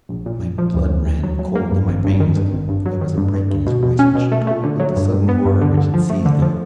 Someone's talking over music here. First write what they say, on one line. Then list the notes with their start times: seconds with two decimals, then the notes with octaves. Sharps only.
My blood ran cold in my veins, for there was a break in his voice which told of the sudden horror which had seized him.
0.09 A#1
0.26 A#2
0.42 A#1
0.58 F3
0.74 D2
0.90 D2
1.07 D2
1.23 F#3
1.39 F#3
1.55 A#3
1.71 G2
1.88 G#1
2.04 G2
2.20 D#3
2.36 G2
2.53 G#1
2.69 G2
2.86 F#3
3.01 D#3
3.18 G2
3.34 G2
3.51 G2
3.67 B2
3.83 B2
3.99 C#4
4.15 B2
4.32 A3
4.47 A3
4.64 D3
4.79 F#3
4.96 G2
5.12 G2
5.29 B3
5.45 G2
5.61 D3
5.77 D3
5.94 F3
6.10 A3
6.26 D3
6.42 F3